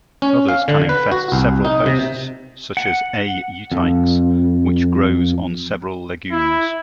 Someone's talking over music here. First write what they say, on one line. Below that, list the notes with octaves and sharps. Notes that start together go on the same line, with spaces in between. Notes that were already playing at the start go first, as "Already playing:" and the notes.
Others can infest several hosts, such as "A. euteiches", which grows on several legumes.
C#4
F5
D3
B4
F#4
C2
D#4
C3
F#5
F2
E4